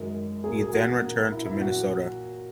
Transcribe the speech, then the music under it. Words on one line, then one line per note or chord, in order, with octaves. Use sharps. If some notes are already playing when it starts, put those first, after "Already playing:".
He then returned to Minnesota.
Already playing: F#2 D#3 G#3
A#2 F#3 A#3 G#4
G#4
F#4
A#2 A#3
E4
E4
A#2 F#3 F#4